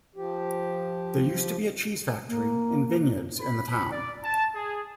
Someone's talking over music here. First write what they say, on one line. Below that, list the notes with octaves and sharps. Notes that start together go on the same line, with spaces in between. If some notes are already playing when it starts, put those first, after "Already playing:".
There used to be a cheese factory and vineyards in the town.
F3 G4
A#3
B5
D5
A5
G#4